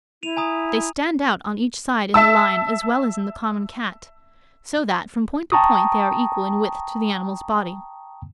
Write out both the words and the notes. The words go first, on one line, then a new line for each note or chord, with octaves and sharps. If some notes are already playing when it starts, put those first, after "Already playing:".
They stand out on each side in the lion, as well as in the common Cat; so that, from point to point, they are equal in width to the animal's body.
E4 D#7 F7
G#5 A#5 D#6
E5 A5 E6
G5 A5 A#5 C#6 D#6